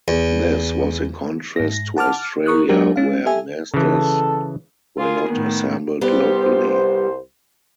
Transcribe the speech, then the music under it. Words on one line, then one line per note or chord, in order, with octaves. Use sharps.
This was in contrast to Australia, where Mazdas were not assembled locally.
E2
G#2 A#6
F#5 A5 D6 F6
A#4 C#6 D#6 F#6
F#3 G#3 D4 F#4 G4 A#4
G#3 C#4 F5
G4 A4 E5 G#5
C#3 E3 A4
F4 G#4 A#4
A2 D#3 B3
C2 G3 B3 G4 C5